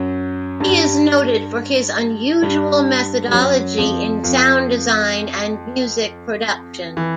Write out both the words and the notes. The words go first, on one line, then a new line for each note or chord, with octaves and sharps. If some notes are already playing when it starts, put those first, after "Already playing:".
He is noted for his unusual methodology in sound design and music production.
Already playing: F#2 F#3
G2 G3
G2 G3
G3
F#2 F#3
F2 F3
F2 F3
E3